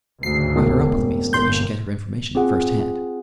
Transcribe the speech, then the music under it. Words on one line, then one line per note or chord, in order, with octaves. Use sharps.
I brought her up with me, so that you should get her information at first hand.
D2 G#2 C#3 C7
E1
F1
G1 A#3 C6 G6
C4 F4 G#4 F#5